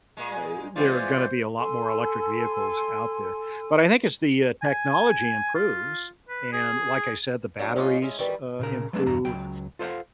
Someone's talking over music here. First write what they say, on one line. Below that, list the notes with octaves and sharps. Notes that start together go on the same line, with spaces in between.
uh, there are gonna be a lot more electric vehicles out there. But I think as the, uh, technology improves, and like I said, the batteries, uh, improve,
A#2 G#3
E3 G#3 B3 C4 F4 C5 D5
A4 G#5 C6
G#5
F4
B4
G#4
F#3 D4 A#5
G#3 C#4 D#4 F4
G#3 C#4 E4
D#3 E3 G3 B4
A#2 C#3 A#4
F#3 G#3 A3 B3 C#4 D4
E2 G2 D4 A#5
C#2 F#3 G5
F4 A4 C5 C#5 F5 F#5